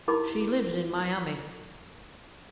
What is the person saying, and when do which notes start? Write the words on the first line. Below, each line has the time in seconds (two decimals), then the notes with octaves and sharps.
She lives in Miami.
0.08 D#4 E4 G4 A#4 B5 D6